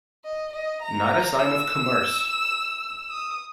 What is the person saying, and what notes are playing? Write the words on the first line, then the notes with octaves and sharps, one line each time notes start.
Not a sign of commerce!
D#5
D#5
A#5
E6
D#6